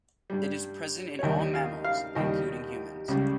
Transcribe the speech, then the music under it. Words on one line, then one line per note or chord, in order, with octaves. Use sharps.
It is present in all mammals, including humans.
G2 G3
C#5
D#2 D#3 G3 D#5
F5
F5
D#2 D#3 G3 D#5
C#2 C#3 G3